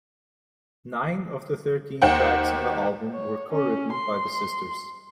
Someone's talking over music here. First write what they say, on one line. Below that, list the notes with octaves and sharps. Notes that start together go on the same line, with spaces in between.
Nine of the thirteen tracks on the album were co-written by the sisters.
D#2 C5 F#5 G5
C#5
C#4
C6